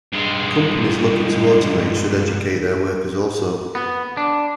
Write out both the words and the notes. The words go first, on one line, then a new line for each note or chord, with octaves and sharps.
Companies looking to automate should educate their workers also.
G2 G#3
B3
D4